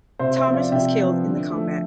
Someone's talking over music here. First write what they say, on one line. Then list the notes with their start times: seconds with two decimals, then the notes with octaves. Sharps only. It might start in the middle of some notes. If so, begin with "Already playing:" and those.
Thomas was killed in the combat.
0.19 C3 C5 E5
0.37 C5 E5
0.46 F3 B3
0.54 D5 F5
0.72 C3 E5 G5
0.99 F3 B3
1.24 D3
1.51 F3 A3